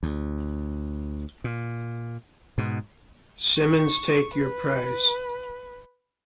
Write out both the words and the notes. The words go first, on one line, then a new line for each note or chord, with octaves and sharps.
Simmons, take your prize.
D2
A#2
G#2 B2
C#6
B4